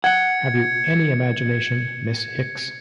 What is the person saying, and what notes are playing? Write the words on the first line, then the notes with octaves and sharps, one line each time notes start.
Have you any imagination, Miss Hicks?
F#5 G#6 C#7